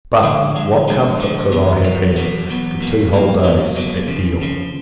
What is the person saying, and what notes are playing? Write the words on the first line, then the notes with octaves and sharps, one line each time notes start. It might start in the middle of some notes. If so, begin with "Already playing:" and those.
But, what comfort could I have had, for two whole days, at Deal?
D2 D3 F3 G#3
D2 D3 F3 G#3
D2 D3 F3 G#3
D2 D3 F3 G#3
E2 B2 F#3 B3
E2 B2 F#3 B3
E2 B2 F#3 B3
E2 B2 F#3 B3
C#2 B2 F#3 A#3
C#2 B2 F#3 A#3
C#2 B2 F#3 A#3
C#2 B2 F#3 A#3
D#2 C#3 F3
D#2 C#3 F3